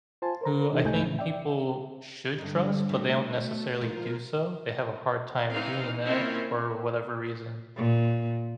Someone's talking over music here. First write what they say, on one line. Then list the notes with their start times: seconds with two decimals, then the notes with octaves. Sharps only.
who I think people should trust but they don't necessarily do so. They have a hard time doing that for whatever reason.
0.22 F4 C5 G#5 A5
0.41 A#4 C5 A#5
0.72 C3 E3 D4 D#4 G4 A4
0.84 C#2 G#2 A3 D#4 G#5 G6
1.05 A2 C#3 E3
1.19 D5 E5 G5
2.38 G2 D3 D#4
2.89 B2 A3
3.81 D#3 F3 G#3 F4 A#4
5.52 E3 C4 D#4 F5
6.05 A#3 C4 C#4 E4 F4
7.76 A#2